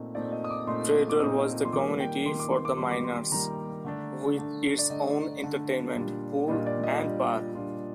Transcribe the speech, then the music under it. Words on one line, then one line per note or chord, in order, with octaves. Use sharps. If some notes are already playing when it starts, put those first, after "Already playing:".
Treadwell was the community for the miners, with its own entertainment, pool, and bar.
Already playing: A#2 A3 C4 D#4 D#5
A#2 A3 C4 D#4 D5
D#5
D#6
D6
A#2 A3 C4 D#4 C6
D6
A#2 A3 C4 D#4 D#6
C6
D#3 G3 A#3 D6
G5
D#3 G3 A#3 C6
D6
C6
D6
D#3 G3 A#3 C6
D6
C6
D#3 G3 A#3 A#5
D3 A3 D4
D3 A3 D4
D5
D3 A3 D4 D#5
D3 A3 D4
A#2 G3 D4 F4
A#2 G3 D4 F4 D#5
D5
D#5
A#2 G3 D4 F4
A#2 G3 D4 F4